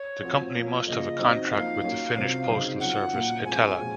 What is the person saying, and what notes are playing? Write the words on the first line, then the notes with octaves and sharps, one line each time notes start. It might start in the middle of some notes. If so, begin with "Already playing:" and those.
The company must have a contract with the Finnish postal service Itella.
Already playing: C#5
F3 C4 F#4
F3 A#3 F4
C#3 F3 A#3 D#5
F#3 C4 D#4 F#4
F3 A#3 D#4 F5
F#3 A#3 C#4
C3 F#3 C4 F4
C#3 F#3 C4 D#4
F#3 C#4 F4 F#5
A#2 F#3 A#3
F3 G#3 C4 G#5
A#2 F3 G#3 C#4 F#4